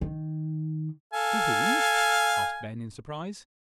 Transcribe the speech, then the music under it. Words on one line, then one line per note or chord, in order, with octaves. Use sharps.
"To whom?" asked Ben, in surprise.
D#3
A4 F5 G#5